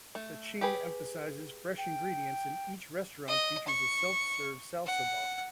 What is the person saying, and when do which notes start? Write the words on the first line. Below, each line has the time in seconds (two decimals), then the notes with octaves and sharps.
The chain emphasizes fresh ingredients, and each restaurant features a self-serve salsa bar.
0.15 A3
0.61 G4 G#4 B4
1.78 G5
3.28 D#5
3.67 C#6
4.86 F#5